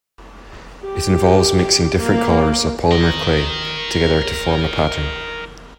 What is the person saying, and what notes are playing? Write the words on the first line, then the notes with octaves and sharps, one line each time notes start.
It involves mixing different colors of polymer clay together to form a pattern.
G4
A#3
A#4 D#5